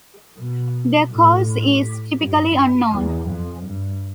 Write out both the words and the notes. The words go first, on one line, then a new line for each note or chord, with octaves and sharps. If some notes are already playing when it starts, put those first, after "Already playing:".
The cause is typically unknown.
B2
A2
G2
E2
F2
G2